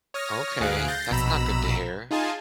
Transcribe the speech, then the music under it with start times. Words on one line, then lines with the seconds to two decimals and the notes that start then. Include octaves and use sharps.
Okay, that's not good to hear.
0.14 C#5 D#6 F6 A#6
0.60 D2 G#4 F5 F#6 D7
0.88 G6 A6 A#6 C7
1.11 A#1 B2 A#5 B5 E6 E7
2.11 D#4 F4 G#4 G#5 A5